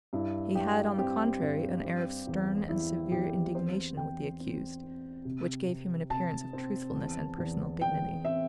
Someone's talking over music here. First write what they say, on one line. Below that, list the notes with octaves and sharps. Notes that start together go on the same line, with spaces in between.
He had, on the contrary, an air of stern and severe indignation with the accused, which gave him an appearance of truthfulness and personal dignity.
G2 E4
G2 G4
C4 G4
G2
C4
E2
E2 E4
E2 G4
C4 C5
E2 G5
C4
C4
C3
C3
C3 A5
C4
E2
E2
E2 G5
C4 E5